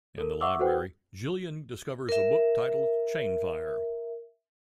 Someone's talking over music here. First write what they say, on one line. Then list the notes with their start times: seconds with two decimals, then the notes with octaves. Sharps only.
In the library, Jillian discovers a book titled Chainfire.
0.18 A4 A#4
0.41 E5 F#5 C#6 D6 E6
0.59 F#4 A4 B4 C5 F#5 G5
2.09 A#4 E5